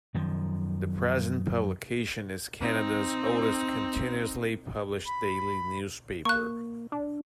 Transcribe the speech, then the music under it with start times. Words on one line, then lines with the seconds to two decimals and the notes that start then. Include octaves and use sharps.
The present publication is Canada's oldest continuously published daily newspaper.
0.14 F#2 D#3 F3
2.61 C4 D#4
5.06 B5
6.25 A#3 C#6 F#6
6.92 D4